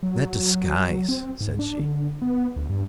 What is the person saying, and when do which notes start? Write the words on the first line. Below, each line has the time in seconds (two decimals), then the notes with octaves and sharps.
"That disguise!" said she.
0.03 F#3
0.59 F#3
1.09 C4
1.41 G#2
1.59 D4
1.79 D3
2.22 B3
2.56 D2
2.69 G2